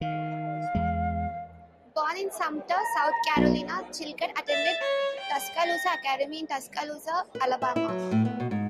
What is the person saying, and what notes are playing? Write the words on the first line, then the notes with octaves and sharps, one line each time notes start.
Born in Sumter, South Carolina, Chilcutt attended Tuscaloosa Academy in Tuscaloosa, Alabama.
D#3 F5
E2 G#3
A#5
B1
E5 A6
C#5
G5
A#6
B4
E5
E4
F#3
A2
B3
B2
G#2